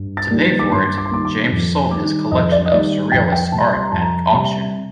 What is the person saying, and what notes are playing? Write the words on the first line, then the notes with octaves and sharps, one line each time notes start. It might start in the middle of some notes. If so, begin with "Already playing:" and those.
To pay for it, James sold his collection of Surrealist art at auction.
Already playing: G2
A6
D#3 G3 A#3
D6
G2 C6
D6
C6
D#3 G3 A#3 D6
D6
F2
D#3 G3 D6
F2 D#5
D5
D#5
D#3 G3 D5
F2 G5
G5
C3 G3 A5
C6
A#5
F2 A5
A#5
C3 G3